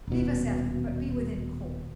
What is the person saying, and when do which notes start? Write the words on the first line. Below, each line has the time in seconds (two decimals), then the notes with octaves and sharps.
Leave us, Evan, but be within call.'
0.07 D#1 B2